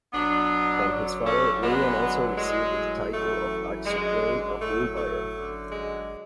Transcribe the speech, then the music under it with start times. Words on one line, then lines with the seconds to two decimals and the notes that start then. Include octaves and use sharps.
From his father William also received the title of Arch-Chaplain of the Empire.
0.13 B2 F#3 B3 D4
0.87 F#2 D3 F#3
1.25 A3 C#4
1.61 F#2 D3 F#3 G#3 B3
2.36 A2 F#3 G#3
3.11 F#2 E3 A3
3.85 F#2 D3 F#3 G#3
4.60 A2 F#3 A3
4.97 A3
5.34 F#2 D3 F#3
5.71 G#3